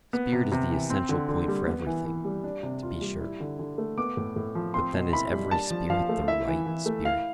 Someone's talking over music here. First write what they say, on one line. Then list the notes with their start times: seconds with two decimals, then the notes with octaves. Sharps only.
Spirit is the essential point for everything, to be sure; but then is every spirit the "right" spirit?
0.13 B3
0.33 C3
0.52 C3
0.71 E3
0.90 C4
1.09 D3
1.29 D3
1.48 G3
1.67 B3
1.86 E3
2.05 E3
2.25 G3
2.44 D4
2.63 C3
2.83 F4
3.01 G3
3.21 E4
3.40 D3
3.59 D3
3.78 A3
3.98 B3 D6
4.17 A2
4.36 A2
4.55 F3
4.74 C4 C6
4.94 B2
5.13 E4 B5
5.32 G3
5.51 D4 A5
5.70 F3
5.90 F3 F5
6.09 A3
6.28 E4 E5
6.47 E3
6.66 E3
6.86 A3
7.05 E4 F5